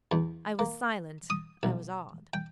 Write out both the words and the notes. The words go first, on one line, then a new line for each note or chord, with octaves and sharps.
I was silent; I was awed.
E2
A#3
D#6
B1
G5